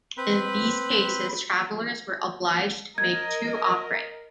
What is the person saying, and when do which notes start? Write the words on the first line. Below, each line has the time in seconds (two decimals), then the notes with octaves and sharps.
In these cases, travelers were obliged to make two offerings.
0.18 C4 B4 B5
2.98 A#4 D#5 G#6